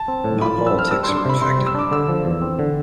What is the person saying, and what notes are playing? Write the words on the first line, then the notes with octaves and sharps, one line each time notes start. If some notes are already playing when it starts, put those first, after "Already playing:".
Not all ticks are infected.
Already playing: A5
C4
A2
F4 B5
F3
E6
C4 F6
G3 E6
C6
D4
C6
C3 B5
C3 C6
G3
E6
D4 D6
D3 E6
F3
E2
C4
D3